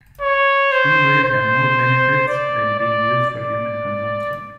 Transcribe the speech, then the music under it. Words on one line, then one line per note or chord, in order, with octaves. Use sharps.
Stingrays have more benefits than being used for human consumption.
C#5
C5
C5
D5
D5
D5